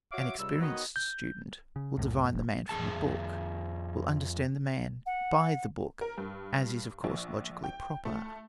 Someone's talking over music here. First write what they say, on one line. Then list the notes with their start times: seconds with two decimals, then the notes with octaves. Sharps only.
An experienced student will divine the man from the book, will understand the man by the book, as is, of course, logically proper.
0.12 F#4 C#5 E5 F5 D6
0.38 C#2 C3 G3 E6
0.60 D#3 B3 F#4 B4 C#5 D#5
0.96 G6
1.76 C#3
1.97 C2 F#2 A2
2.34 F1
2.69 F2 E3 G#4 A5
5.06 F#5
6.01 A#4
6.18 G2
7.04 A#1
7.64 G5
8.05 A3